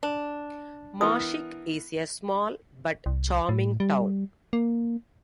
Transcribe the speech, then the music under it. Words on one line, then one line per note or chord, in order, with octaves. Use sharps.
Mashike is a small but charming town.
D4
E3 B3 A#4 D#6
C2
A2
G3
A#3